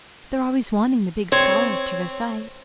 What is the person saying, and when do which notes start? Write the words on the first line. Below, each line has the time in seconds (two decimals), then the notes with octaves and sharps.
They're always wanting the big scholars to recite.
1.32 C4 C#5